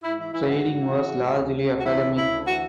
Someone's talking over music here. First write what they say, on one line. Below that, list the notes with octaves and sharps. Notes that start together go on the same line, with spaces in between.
Training was largely academic.
G#2 E4
E3 E4
E3 E4
G#2 F#4
G#2
E3
E3
G#2
E3
D2
C#3
D2
F#4
E3 E4
D2
C#3 E4
D2
E3 F#4